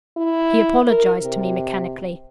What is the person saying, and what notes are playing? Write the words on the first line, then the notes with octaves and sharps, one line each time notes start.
He apologized to me mechanically.
E4
A#4
C3